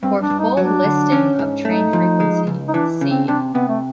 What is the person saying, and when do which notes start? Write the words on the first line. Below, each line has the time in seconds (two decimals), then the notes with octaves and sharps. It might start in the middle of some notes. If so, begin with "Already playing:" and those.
For full listing of train frequency, see.
0.03 G2 C4
0.22 D4
0.30 G2
0.39 D#4
0.57 F#3 D4
0.84 D3
1.12 C#4
1.39 G#2
1.65 A3 D#4
1.93 F3
2.20 G#3
2.47 C#2
2.68 D#4
2.73 E3 D4
3.01 C#3
3.10 C4
3.28 C3 D4
3.54 C3 B3
3.68 A3